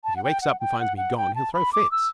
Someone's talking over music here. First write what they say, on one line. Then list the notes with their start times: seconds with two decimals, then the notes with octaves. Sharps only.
If he wakes up and finds me gone he'll throw fits.
0.04 A5
0.16 F#5
0.24 G5
0.42 F#5
0.60 G5
0.80 F#5
0.97 F#5
1.17 G5
1.35 A5
1.53 B5
1.73 D6
1.92 E6